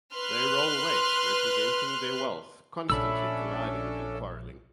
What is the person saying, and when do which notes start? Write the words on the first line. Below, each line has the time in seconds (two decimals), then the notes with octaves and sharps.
They roll weights representing their wealth, constantly colliding and quarreling.
0.14 B4 C6 F6 F#6
2.90 A#1 C#4 D4 A4 E5 B5 E6